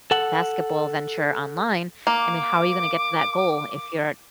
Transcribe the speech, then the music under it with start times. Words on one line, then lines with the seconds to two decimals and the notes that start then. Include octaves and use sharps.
basketball venture online. I mean, how are you gonna get to that goal if you're
0.11 A4 F#5
2.07 A#3 D6